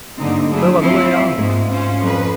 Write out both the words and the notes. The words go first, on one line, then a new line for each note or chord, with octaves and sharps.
No other way out.
G2 D3 A#3 C4 D#4
F#3 A3 D4 E4 G#4
F3 C4 E4 F4 C#5
G#2 A#3
C#4 F4 C5
F2 B4